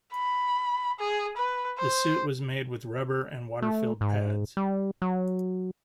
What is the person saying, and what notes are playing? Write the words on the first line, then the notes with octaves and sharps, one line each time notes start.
The suit was made with rubber and water-filled pads.
B5
G#4
B4
C5
A3
G#2
G3
F#3